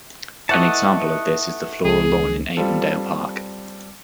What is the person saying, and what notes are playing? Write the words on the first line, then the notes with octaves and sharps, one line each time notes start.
An example of this is the floral lawn in Avondale Park.
E3 A3 D#5 F#5 A5 F#6 C#7
C#2 G#4
G3 C4 F4 A4